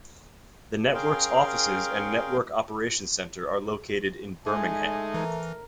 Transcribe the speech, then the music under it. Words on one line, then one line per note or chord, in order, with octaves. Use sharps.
The network's offices and network operations center are located in Birmingham.
C#4 G#4 A#4 F5 G5 C6
G#3 A3 D#4 G#5
E3 A#4